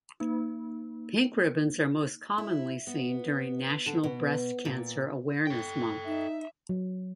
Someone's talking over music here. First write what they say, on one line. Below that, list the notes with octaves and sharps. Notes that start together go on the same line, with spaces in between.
Pink ribbons are most commonly seen during National Breast Cancer Awareness Month.
A#3 D#4
E4
B3
D3
B2
A#2
A4 G5
D#4 E5
F#3